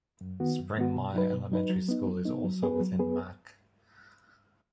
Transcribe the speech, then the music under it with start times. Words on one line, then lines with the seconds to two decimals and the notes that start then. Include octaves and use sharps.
Springmyer Elementary School is also within Mack.
0.21 F#2
0.40 D#3 B3 F#4
0.59 F#2
0.77 D#3 B3 F#4
0.96 B2
1.13 F#3 D#4 B4
1.33 B2
1.52 F#3 D#4 B4
1.69 F#3
1.89 B3 D#4
2.07 F#3
2.25 B3 D#4
2.44 F#3
2.63 B3 G#4 B4
2.80 F#3
2.99 B3 G#4 B4